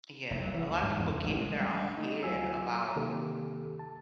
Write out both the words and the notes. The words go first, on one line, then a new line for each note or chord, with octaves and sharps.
Yeah. A lotta people get in their own head about
F1
F#3
E3
D2
G#2
E2
C#3
A1
G#3
G3
A3 D#4
D2 F#3 F4 G#5 E6
C3 D#3 A#3 G4 A4
A5